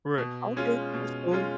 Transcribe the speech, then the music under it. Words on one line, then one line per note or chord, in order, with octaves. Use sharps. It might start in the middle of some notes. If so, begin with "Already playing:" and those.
Right, okay, that's cool.
B2
G#3 C#4 F4
B2
G#3 C#4 F4